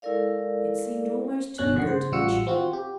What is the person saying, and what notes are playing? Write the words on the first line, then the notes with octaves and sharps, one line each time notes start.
It seemed almost too good to be true.
G#3 E4 A4 A#4 D5 F5
G1 B2 C#4 F#6
F2 D3 D#3 F#5 C7
C#3 C5
A1 G3 F4 F#4 E6 C#7
C4 F4 F#4
G4